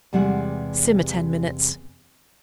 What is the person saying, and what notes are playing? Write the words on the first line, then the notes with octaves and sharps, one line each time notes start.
Simmer ten minutes.
E2 C3 G3 G#3 E4 F#5